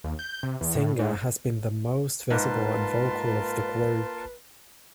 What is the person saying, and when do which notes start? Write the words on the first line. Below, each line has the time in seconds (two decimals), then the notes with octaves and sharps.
Singer has been the most visible and vocal of the group.
0.04 D#2
0.19 G6
0.43 C3
0.61 E2
0.75 A2
0.99 G#2
2.30 G#2 A#3 F4 A#4 B4 A5 C6